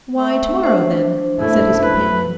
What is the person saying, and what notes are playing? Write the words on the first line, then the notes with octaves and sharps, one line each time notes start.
'Why, to-morrow, then,' said his companion.
A3
D4 C5
F#2 B2 A3 E4
B4